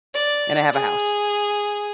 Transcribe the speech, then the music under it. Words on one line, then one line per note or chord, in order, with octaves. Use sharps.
and I have a house.
D5
G#4